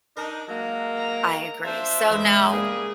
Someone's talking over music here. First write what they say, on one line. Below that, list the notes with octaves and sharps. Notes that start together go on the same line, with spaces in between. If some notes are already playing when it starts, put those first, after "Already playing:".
I agree. So now,
D4 D#4 A#4
F#3 G#3 A#3
A#5
D4 F4 C5 E5
E2 G#3
C#3 G3 A#3 G#4